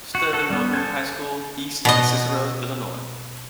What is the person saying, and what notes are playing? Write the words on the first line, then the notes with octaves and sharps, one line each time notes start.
Sterling Morton High School East in Cicero, Illinois.
F#4
F#4 A4
G3 B3
A4 C5 G#5
B2 D#5